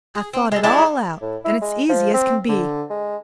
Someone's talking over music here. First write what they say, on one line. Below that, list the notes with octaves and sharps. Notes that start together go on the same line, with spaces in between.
I've thought it all out, an' it's easy as can be.
G#4
C4
G#3 A4
G3 G#3 D4 E4
A2
E4
G#3
F3
C4
D3
G#3